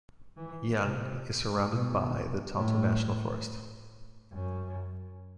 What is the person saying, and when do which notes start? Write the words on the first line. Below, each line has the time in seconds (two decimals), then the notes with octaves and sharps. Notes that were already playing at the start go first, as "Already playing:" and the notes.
Young is surrounded by the Tonto National Forest.
0.37 E3
0.81 C3
1.68 B2
2.56 A2
4.33 F#2